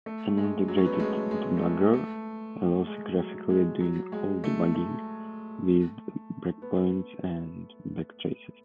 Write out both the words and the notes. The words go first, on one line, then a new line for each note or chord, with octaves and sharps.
An integrated debugger allows graphically doing all debugging with breakpoints and backtraces.
A3
G#3
F#3
C#4
B3
A3
G#3
G#3
A3
G#3
A3
G#3
F#3
G#3
F#3
G#3
A3
A3
B3